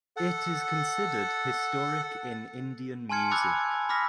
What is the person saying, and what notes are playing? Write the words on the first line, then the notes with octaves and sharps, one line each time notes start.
It is considered historic in Indian music.
A4 F#5
G#5 A5 C6 F6 G#6 C#7
G#5 B5 D6 E6 F#6 A6
B5 D6 E6 F6 A#6 B6